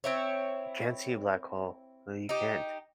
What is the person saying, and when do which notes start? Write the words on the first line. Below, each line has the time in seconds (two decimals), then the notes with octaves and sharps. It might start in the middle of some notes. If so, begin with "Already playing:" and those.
Can't see a black hole. No, you can't.
0.04 C4 E4 C#5
2.29 D#4 G4